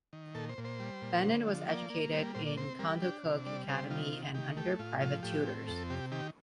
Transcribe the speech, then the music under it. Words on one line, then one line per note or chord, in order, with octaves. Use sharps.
Bennett was educated in Contoocook Academy and under private tutors.
D#3
A#2 A4
C5
A#2
C5
G3
A#2
D3
F3
A#3 D5
A#3
G3 C5
A#2 C5
D5
C4 C5
G3 A#4
D4 G4
C3
G3 D5
C3 C5
D#3 F4
D#3
D#3 G4
A3 G4
A2 F4
F3 F4
A2 G4
C4
F2 A4
C3 G4
D#3 G4